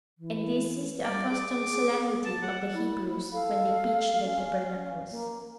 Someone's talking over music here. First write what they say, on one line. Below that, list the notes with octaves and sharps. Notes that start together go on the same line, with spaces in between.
And this is the accustomed solemnity of the Hebrews, when they pitch their tabernacles.
E3
G3 D5
G#4 D6
A5
C#5 F#5
E4
A4 F5
C#4
A#3